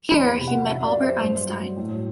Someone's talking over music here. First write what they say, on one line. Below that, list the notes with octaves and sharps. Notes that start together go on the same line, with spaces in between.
Here he met Albert Einstein.
E2 B5
C3 F#3
F#5
F#2 E5
D5
F#3
C5
G2
F#3
A2